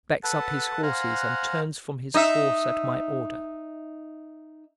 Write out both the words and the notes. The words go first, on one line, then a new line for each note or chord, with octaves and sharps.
Backs up his horses and turns from his course at my order!
A4 B4 F#5 A5
C5 F5 F#5 G#5 A#5 F#6
D#4 D#5 E5